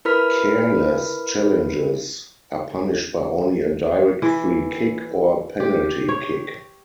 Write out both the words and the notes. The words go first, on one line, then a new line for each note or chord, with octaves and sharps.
"Careless" challenges are punished by only a direct free kick or penalty kick.
E4 A#4 B4 B5 F6 B6
E3
G4
C#5